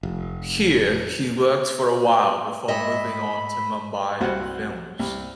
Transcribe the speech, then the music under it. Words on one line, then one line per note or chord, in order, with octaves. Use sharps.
Here he worked for a while before moving on to Mumbai and films.
F1
G#2 D#5 E5 B5
C2 F#4 C5 F#5
C2